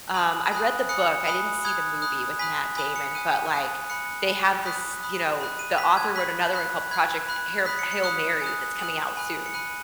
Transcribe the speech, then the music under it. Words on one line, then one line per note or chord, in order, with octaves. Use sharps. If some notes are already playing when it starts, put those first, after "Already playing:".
um, I read the book, I didn't see the movie with Matt Damon, but, like, they have this you know, the author wrote another one called Project Hair Hail Mary that's coming out soon.
G#5 B5 D#6 F#6 F#7
G#5 B5 D#6 F#6
G#5 B5 D#6 F#6 C#7
C#7
G#5 B5 D#6 F#6
B5 D#6 F#6 G#6
B5 D#6 F#6
G#5 B5 D#6 F#6 B6
G#5 B5 D#6 F#6
C#7
G#5 D#6 F#6 D#7
G#5 D#6 F#6
G#5 B5 F#6 C#7
G#5 B5 F#6
B5 D#6 F#6 B6
B5 D#6 F#6
B5 F#6
D#7
B5 F#6 B6
G#6
B5 F#6 B6
B5 F#6
B5 F#6 G#6
B5 F#6
B5 D#6 F#6 B6
C#7
C#7
B5 D#6 F#6 C#7
G#5 D#6 F#6
G#5 D#6 F#6 F#7
G#5 B5 F#6
C#7
G#5 B5 F#6 D#7